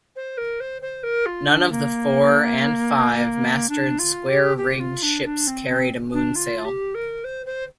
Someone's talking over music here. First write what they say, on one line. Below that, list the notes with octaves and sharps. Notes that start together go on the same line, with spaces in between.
None of the four- and five-masted square rigged ships carried a moonsail.
C5
A#4
C5
C5
A#4
F4
D4
A#3
D4
F4
G4
G4
F4
D4
D4
C4
C4
D4
F4
G4
A#4
C5
C5